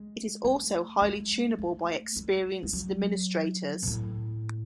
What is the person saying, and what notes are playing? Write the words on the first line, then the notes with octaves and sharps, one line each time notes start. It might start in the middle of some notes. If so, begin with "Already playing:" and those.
It is also highly tunable by experienced administrators.
Already playing: G#3
A3
G#3
A3
G#3
G#3
F#3
B2
A2